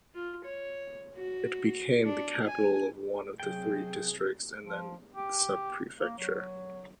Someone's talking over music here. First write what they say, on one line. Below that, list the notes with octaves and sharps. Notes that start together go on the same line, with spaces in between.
It became the capital of one of the three districts and then sub-prefecture.
F4
C#5
F#4
D4
G#5
C3 F#3 G#4 G5
F3
G4
A#3
F#3